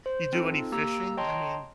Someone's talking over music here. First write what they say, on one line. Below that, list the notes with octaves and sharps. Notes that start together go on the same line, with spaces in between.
you do any fishing? I mean
C5
C4 D#4 F4 A4
A#3 G4 A#5 E6
C#5 D#5 G5 A5 A#5 C6